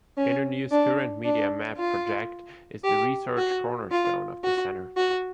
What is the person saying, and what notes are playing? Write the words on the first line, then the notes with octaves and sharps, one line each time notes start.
Internews' current Media Map project is the research cornerstone of the Center.
C#4
D4
D4
F4
G4
F#4
F4
F#4
F#4